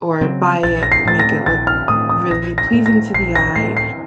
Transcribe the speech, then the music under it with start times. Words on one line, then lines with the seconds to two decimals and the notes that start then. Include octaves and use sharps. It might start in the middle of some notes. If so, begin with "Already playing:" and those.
or buy it and make it look really pleasing to the eye,
0.21 C#3 F#3 C4
0.63 A#1 A6
0.83 A#6
0.92 C7
1.05 A2 A3 A6
1.19 A#6
1.46 A#1 A6
1.67 F6
1.88 A2 A3 D#6
2.09 D#6
2.31 A#1 A#6
2.58 A#6
2.73 A2 A3
2.86 A#6
3.14 A#1 C7
3.35 A#6
3.56 A2 A3 C7
3.77 C7